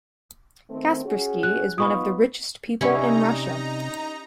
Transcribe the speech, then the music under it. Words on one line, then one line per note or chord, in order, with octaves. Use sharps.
Kaspersky is one of the richest people in Russia.
D#3 A3 C4
C#4 F#4 G#4
F#6
B3 D#4 F4 B5 C#6 D#6
C3 C#4 D#4 E4 G4 C#5 D5 A#5